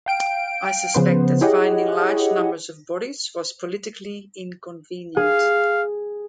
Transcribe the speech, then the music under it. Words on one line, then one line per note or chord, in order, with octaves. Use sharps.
I suspect that finding large numbers of bodies was politically inconvenient.
F5 G5 D7
C#3 F3 B3 B4 C5
E4 G4 G#4 C#5 D#5 F#5
G#4 F5